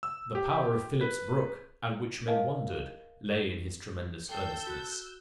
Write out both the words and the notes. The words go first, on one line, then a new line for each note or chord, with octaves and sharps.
The power of Phillips Brooks, at which men wondered, lay in his tremendous earnestness.
E6
G4
B4
A#4 B4 D#5 F5 G#5 A5
A4 G5 E6 G6 C7
F#4 F#6